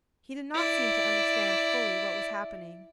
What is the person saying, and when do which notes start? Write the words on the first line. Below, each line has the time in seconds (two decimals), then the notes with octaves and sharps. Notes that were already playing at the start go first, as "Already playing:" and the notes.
He did not seem to understand fully what was happening.
0.54 E4 D5